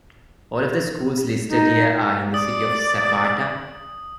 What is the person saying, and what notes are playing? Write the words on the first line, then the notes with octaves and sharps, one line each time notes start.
All of the schools listed here are in the city of Zapata.
D#4
D5 D#6